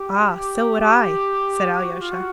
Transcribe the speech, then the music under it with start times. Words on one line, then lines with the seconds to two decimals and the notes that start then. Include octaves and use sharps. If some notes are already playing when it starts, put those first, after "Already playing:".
"Ah, so would I," said Alyosha.
Already playing: G4
1.81 F#4
2.01 F4
2.12 F#4